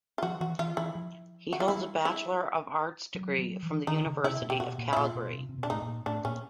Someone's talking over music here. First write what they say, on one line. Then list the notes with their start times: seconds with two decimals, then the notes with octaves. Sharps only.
He holds a Bachelor of Arts degree from the University of Calgary.
0.18 F4
0.22 F3 F#4
0.40 E3 F#4
0.59 E3 F4
0.77 E3 E4
0.95 F3
1.53 F#4
1.60 F4
1.68 G3 E4
2.05 E4
3.15 F#3
3.38 F#3
3.63 E3
3.87 D#3 D#4
4.06 C#3
4.23 C3 E4
4.42 B2
4.50 G4
4.60 B2 F#4
4.78 A#2
4.93 E4
4.96 A#2 F4
5.15 B2
5.34 C3
5.49 C3
5.58 B2
5.63 D4
5.70 A2 D#4
5.82 A#2
6.06 A2 D4
6.25 A#2 C#4